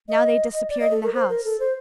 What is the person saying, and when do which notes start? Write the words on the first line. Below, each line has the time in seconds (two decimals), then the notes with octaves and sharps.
Now they disappeared in the house.
0.09 D#5
0.69 D5
0.80 D#5
0.91 A4
1.03 A#4
1.14 C5
1.29 A#4
1.45 A4
1.60 C5